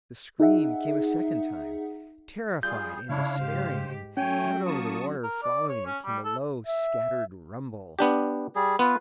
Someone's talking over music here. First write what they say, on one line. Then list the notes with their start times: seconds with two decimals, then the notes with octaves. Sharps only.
The scream came a second time, terrified and despairing, and out over the water following it came a low, scattered rumble.
0.40 D#4 G#4 E5 F#5
2.63 G3 F4 G#4 G6
3.09 C#3 D4 E4 C#5 F5
3.39 G#2 G4 C5
4.17 F#3 A3 C#4 F#4 C#5 G5 G#5
4.66 A#3 A5 C#6 D#6
5.24 A#4
5.43 D5
5.69 C#5
5.86 C#4
6.05 G3
6.25 A4
6.67 E5
7.99 B3 D4 G4
8.56 G3 G#4
8.79 B3 F4 B4